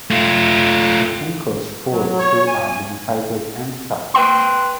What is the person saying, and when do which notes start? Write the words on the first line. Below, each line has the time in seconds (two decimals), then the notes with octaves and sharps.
Unkle's fourth full album titled End Titles...
0.11 A3 F4
1.91 F#3
2.19 C#5
2.47 G#5
4.14 B4 G5 C6